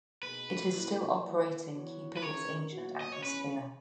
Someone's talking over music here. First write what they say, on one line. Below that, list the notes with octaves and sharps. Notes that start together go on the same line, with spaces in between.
It is still operating keeping its ancient atmosphere.
B2 A#3 D#4 G#4 B4
A#2 G#3 C#4 E4
E3 A#3 E4 B4
E3 B3 F#4 C#5
B4
C#3 E3 G#3 D#4 A#4 C#5
A#2 F#3 B3 F#4
D#5
C#5
E2 C#3 G#3 C#4 B4